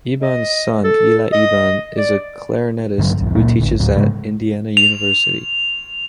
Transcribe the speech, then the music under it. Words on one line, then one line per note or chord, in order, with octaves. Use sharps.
Eban's son, Eli Eban, is a clarinetist who teaches at Indiana University.
D#5
A4
D#5
D5
G2 D3 F3 F#3
F1 C2 F2
C#2 A#2 A#3
D#1 A1 D3
D2 A2 F#3
G#2 C#3 G3 G#3
F7